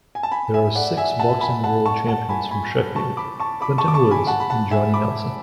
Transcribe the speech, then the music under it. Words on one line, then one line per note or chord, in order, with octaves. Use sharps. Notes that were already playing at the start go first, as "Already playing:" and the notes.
There are six boxing world champions from Sheffield, Clinton Woods and Johnny Nelson.
G#5
A5
G#5 B5
E5 G#5
D5 F#5
E5 G#5
F#5 A5
G#5 B5
F#5 A5
A5 C#6
F#5 A5
G#5 B5
G#5 B5
A5 C#6
B5 D6
A5 C#6
B5 D6
A5 C#6
D6
A5 C#6
G#5 B5
F#5 A5
B5
F#5 A5
E5 G#5
B5 D6